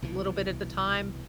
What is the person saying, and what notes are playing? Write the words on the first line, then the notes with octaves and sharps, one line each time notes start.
a little bit at a time.
C2 B2 E3